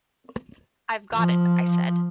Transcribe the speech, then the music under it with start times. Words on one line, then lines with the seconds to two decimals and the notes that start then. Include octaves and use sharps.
"I've got it," I said.
1.13 F3